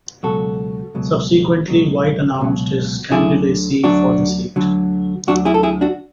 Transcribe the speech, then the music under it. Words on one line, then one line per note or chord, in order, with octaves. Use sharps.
Subsequently, White announced his candidacy for the seat.
C#2 B2 F#3 F#4 A4
C#2 B2 F#3
C#2 B2 F#3
C#2 B2 F#3
D2 D3 F#3 E4 G#4
D2 D3 F#3 D4 F#4
D2 D3 F#3
D2 D3 F#3 D4 F#4
E4 G#4
A4
E4 G#4
D4 F#4